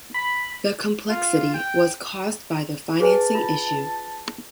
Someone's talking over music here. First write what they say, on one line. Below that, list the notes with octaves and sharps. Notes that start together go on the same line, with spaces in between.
The complexity was caused by the financing issue.
B5
F4
G5
G#4 B4 G#5 A5
F4